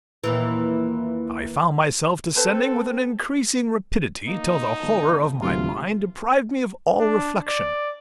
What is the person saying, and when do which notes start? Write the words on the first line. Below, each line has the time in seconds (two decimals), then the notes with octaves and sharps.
I found myself descending with an increasing rapidity, till the horror of my mind deprived me of all reflection.
0.24 D#2 A#2 E3
2.36 C4 A4 B4 C5 A5
4.28 A#3 D#4
4.80 G1 A5
5.42 D1 C#2 C3 F4
6.99 D4
7.48 D5